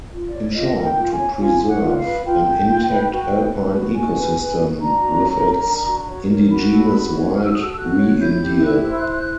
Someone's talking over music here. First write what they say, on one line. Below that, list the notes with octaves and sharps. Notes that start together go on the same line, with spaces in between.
In short: To preserve an intact alpine ecosystem with its indigenous wild reindeer.
F4
D5
C#5
F4 D#5
A#4
G5
F4
G#5
C#5
F4 G#5
G#4
F#5
F4
F#5
F5
B4
F4 G5
G#4
F4
B4
F#4
B4
B4
F#4
F#4 G#5
B4
B4
F#4
D4 A#5
F#4
C#5
A#4
D4
F#4
C#5
A#4
F#4 B5
A4
F#4
C#5
F#4 F6
E6
A4 D#6
E6
F#4 F#6
C#5
E4 G6
G4
E4 F#6
C5
E4